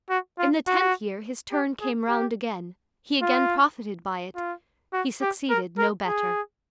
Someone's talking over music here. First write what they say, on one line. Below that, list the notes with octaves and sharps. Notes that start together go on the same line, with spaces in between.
In the tenth year his turn came round again; he again profited by it; he succeeded no better.
F#4
F4
F#4
G4
G#4
G4
F4
F4
F#4
G4
A#4
A#4
G#4